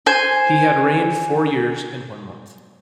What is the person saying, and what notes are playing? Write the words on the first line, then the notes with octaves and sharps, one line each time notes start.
He had reigned four years and one month.
C5 G#5